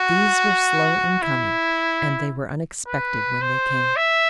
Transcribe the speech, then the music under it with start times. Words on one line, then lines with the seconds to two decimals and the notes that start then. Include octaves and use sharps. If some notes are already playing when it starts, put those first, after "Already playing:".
These were slow in coming, and they were unexpected when they came.
Already playing: F#4
1.22 E4
2.87 B4
3.42 C5
3.97 E5